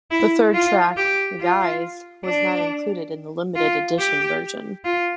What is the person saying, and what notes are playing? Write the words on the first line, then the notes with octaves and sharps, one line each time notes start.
The third track, "Guys", was not included in the limited edition version.
E4
F4
G4
F4
D4
F4
G4
F4